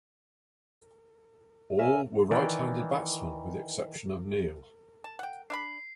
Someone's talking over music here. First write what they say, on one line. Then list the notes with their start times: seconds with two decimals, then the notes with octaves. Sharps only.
All were right-handed batsmen with the exception of Neil.
1.78 A#4 C#5 E5 G#5
2.31 D#3 E3 D5
5.04 A5
5.19 F#5 G5
5.50 D4 F5 B5 C7